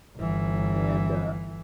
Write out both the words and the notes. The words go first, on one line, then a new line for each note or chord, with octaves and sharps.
and, uh
G1 E3